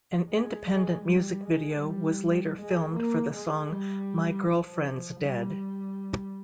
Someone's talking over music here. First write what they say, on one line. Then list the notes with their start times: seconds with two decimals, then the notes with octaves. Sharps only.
An independent music video was later filmed for the song My Girlfriend's Dead.
0.29 G#3
0.67 G#3
1.05 G3
1.42 G#3
1.80 G3
2.56 G#3
2.94 A#3
3.32 G#3
3.70 G3
4.46 F3
5.22 G3